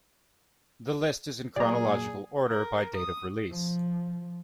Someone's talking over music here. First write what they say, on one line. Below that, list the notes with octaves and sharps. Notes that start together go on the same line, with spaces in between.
The list is in chronological order by date of release.
A#2 F#3 A#3 G#4 D5 A#5
A#4
D#6
F3